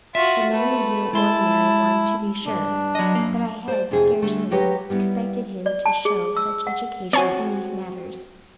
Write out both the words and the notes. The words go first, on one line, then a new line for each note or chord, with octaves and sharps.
The man was no ordinary one, to be sure, but I had scarcely expected him to show such education in these matters.
F4 F#4 E5
A3 B4
G#3 E4 A5 C6
C2 G2 D4
F#3 D#5
F#2 A#3
C5 D5
F2 C3 E4 G#4
D3 G3 A3
F#3 G4 B4 C#5 D#5 G5
G3 B3 E4
D5
A5
G#4
E6
F#5
C4 F#4 C#5 G#5